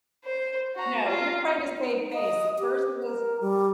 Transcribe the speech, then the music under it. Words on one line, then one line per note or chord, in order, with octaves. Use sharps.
No, you're trying to save face. First it was,
C5
F#4 A#5
F4
D#4
D#5
G4
A#4
G3